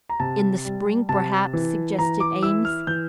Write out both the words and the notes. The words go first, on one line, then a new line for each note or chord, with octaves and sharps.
"In the spring, perhaps," suggested Eames.
A#5
C3 A5
G3
C3 A5
E3
E3 A#5
D6
E4 E6
F6
E3 G6